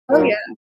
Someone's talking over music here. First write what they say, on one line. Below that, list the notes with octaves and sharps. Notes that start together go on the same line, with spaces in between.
Oh, yeah.
A#2 F#3 A#4